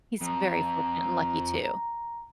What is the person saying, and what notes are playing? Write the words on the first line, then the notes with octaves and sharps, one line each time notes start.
He's very fortunate and lucky, too.
F2 A#5